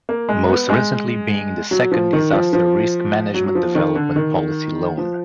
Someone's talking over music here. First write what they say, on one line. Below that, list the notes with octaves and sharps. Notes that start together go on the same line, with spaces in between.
Most Recently being the Second Disaster Risk Management Development Policy Loan.
A#3
G#3
B3
G#3
F#3
F3
D#3
F3
F3
F#3
F#3
F3
D#3
D3
D#3
F3